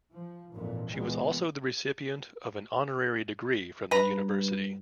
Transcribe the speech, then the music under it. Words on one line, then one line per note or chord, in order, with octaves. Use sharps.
She was also the recipient of an honorary degree from the university.
F3
G#1 F2 A#2 E3
C#2 A#2 E3 G#3 B3
G2 B4 A#5